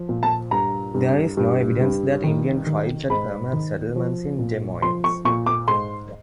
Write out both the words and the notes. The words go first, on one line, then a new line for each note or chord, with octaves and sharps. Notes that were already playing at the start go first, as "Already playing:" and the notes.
There is no evidence that Indian tribes had permanent settlements in Des Moines.
Already playing: F3
A#2
A5
G2 A#5
G2
G2
G2
D#3
D#3
G#2 B5
D#3
F3
A#2
F3 C6
C#6
A#2 C#6
D6
G#2 C6